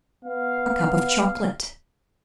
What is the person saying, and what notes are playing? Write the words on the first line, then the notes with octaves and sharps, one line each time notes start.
"A cup of chocolate."
B3 F5